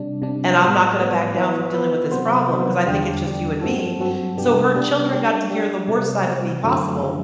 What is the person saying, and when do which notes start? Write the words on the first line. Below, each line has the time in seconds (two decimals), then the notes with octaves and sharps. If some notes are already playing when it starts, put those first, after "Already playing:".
and I'm not gonna back down from dealing with this problem, 'cause I think it's just you and me," so her children got to hear the worst side of me possible
Already playing: C3 G3 D4
0.22 C3 G3 D4
0.60 A2 G3 B3
0.98 A2 G3 B3
1.35 E3 B3 E4 B4 E5
1.73 E3 B3 E4 B4 E5
2.11 C3 F#3 B3 F#4 C5
2.48 C3 F#3 B3 F#4 C5
2.86 E2 D3 G3 D4 G4
3.24 E2 D3 G3 D4 G4
3.61 G2 F#3 C4 F#4 A4
3.99 G2 F#3 C4 F#4 A4
4.37 C3 G3 B3 D4 G4
4.75 C3 G3 B3 D4 G4
5.12 G3 D4 G4
5.50 G3 D4 G4
5.88 C3 G3 C4
6.26 C3 G3 C4
6.63 F#2 D3 F#3 A3
7.01 D3 F#3 A3